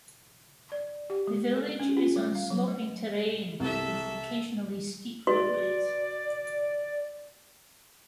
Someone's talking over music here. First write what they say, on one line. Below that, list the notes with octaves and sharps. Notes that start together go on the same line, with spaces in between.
The village is on sloping terrain with occasionally steep roadways.
D5
G4
G#3
A4
C#4
F4
G3
F5
F#3
A3
C2 A4 E5
F#4 B4 D5 C6